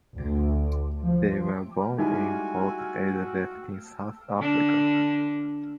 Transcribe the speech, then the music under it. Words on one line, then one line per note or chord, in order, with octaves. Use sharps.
They were born in Port Elizabeth in South Africa.
D2
F3
G3 G#3 D#4 E4 F#4 G#5
D3 D4